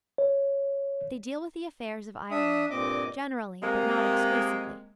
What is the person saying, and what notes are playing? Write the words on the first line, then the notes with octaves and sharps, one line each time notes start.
They deal with the affairs of Ireland--generally but not exclusively.
C#5
D4 E5 D#6
G2 A#2 C4 D#5 D6
C3 G#3 A#3